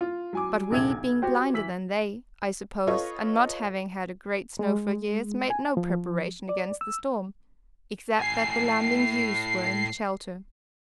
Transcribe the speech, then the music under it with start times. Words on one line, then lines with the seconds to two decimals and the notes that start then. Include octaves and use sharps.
But we, being blinder than they, I suppose, and not having had a great snow for years, made no preparation against the storm, except that the lambing ewes were in shelter.
0.01 F4
0.33 F#3 G#5 D6
0.71 D#1 A#1 C3 G#6
0.89 B1
1.22 F#4 G4 C5
1.54 E3 E6 B6 F#7
2.87 F4 A4 B4 C#5 D#5 C#6
4.59 G#3
5.50 G#5
5.77 F3
6.49 D5
6.81 E6
8.20 A2 G#5 C7